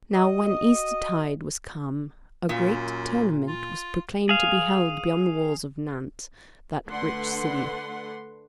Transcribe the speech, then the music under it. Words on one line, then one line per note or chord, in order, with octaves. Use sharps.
Now when Eastertide was come, a great tournament was proclaimed to be held beyond the walls of Nantes, that rich city.
F#4 D#5
F#2 A#2
F4
G#4 F5
D3 A3 D4 B4 F#5 C6